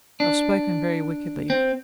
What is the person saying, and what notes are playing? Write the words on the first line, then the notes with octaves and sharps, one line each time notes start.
I've spoken very wickedly.
D4
C4